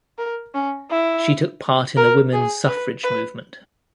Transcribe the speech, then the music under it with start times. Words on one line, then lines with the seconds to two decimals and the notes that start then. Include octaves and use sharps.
She took part in the Women's Suffrage movement.
0.18 A#4
0.54 C#4
0.90 E4
1.97 A#4
2.33 G#4
2.68 B4
3.04 B4